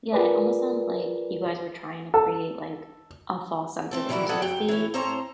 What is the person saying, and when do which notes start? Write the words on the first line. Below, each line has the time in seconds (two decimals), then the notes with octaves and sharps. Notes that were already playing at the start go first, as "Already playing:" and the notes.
Yeah, it almost sounds like you guys were trying to create, like, a false sense of intimacy,
0.13 F4 G#4 A#4 B4 D5
2.14 A4
3.91 A3 C4 A4
4.09 C#3 E3 G3 E4 F#4 A#4
4.29 G#4 A4 B4 D5 F#5 G5
4.42 F#2 G5
4.68 E3 C#4
4.94 A2 C4 A4 C5 C#5 A#5